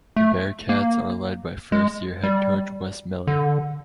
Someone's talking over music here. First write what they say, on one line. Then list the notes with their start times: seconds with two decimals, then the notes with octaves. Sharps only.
The Bearcats are led by first year head coach Wes Miller.
0.16 A3
0.69 A#3
1.72 G#3
2.24 G3
3.27 D3